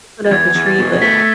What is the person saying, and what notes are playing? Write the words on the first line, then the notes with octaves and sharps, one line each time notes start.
put up a tree, but
A6
E2 G#6
E2
A6
B2
A3 B6